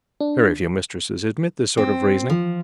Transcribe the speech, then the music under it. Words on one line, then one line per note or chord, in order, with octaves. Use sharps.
Very few mistresses admit this sort of reasoning.
D4
C4
F3